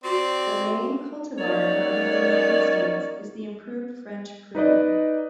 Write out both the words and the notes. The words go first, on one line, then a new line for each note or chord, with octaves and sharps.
The main cultivar grown in the United States is the Improved French prune.
C4 F#4 D5 C6
F#3 A#3 C#4 D#4 C#5 D5
D#4 B4 D5 D#5